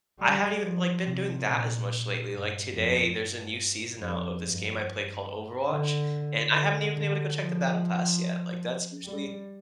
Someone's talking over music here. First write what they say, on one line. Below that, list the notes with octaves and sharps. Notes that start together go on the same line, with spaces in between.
I haven't even like, been doing that as much lately. Like, today, there's a new season out of this game I play called Overwatch, and I haven't even been able to go check the battle pass yet, like, that's usually
G3
F3
C3
A#2
G2
F2
G2
F2
G2
D3
D3
D3
F3
G3